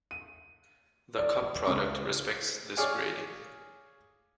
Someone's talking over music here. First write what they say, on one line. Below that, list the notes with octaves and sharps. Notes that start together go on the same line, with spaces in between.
The cup product respects this grading.
D#7
D5
C#2
G#4 C#5 D5 F5 G#5